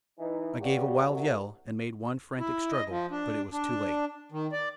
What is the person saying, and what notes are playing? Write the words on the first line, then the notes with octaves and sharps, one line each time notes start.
I gave a wild yell and made one frantic struggle, but it was too late.
E3 D#4
G2 C#3 G3 B3 F#4 G4
C2 F#3
E4
D#5
F3
D4
D4
D#3
D5